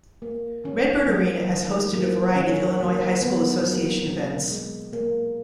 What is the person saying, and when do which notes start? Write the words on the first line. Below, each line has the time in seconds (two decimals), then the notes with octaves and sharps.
Redbird Arena has hosted a variety of Illinois High School Association events.
0.22 A#3
0.64 D#3 C#4
1.08 F#3 A#3
1.51 D#3
1.93 F#3 A#3
2.36 D#3 C#4
2.79 F#3 A#3
3.22 D#3 B3
3.65 F#3 A#3
4.07 B2
4.51 G#3
4.93 B2 A#3